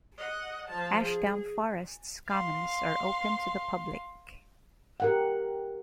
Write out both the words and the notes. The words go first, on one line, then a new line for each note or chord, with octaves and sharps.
Ashdown Forest's commons are open to the public.
D#5 F#5
F3 A5
G#4
F5 C6
G4 A#4 F#5